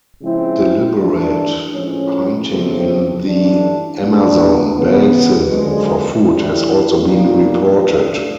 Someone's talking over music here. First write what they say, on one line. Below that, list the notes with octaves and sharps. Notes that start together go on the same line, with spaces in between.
Deliberate hunting in the Amazon Basin for food has also been reported.
C#3 F3 G#3 C4 E4
G2 E3 A3 D4
A2 F3 G#3 C#4
E2 C#3 F3 A3 C4
G2 E3 A3 D4
A#2 G3 B3 D4
C#3 E3 G3 B3
F#2 D3 F3 G#3
A2 E3 G3 C4 E4
B2 G3 A#3 D#4
A2 F3 A3 D4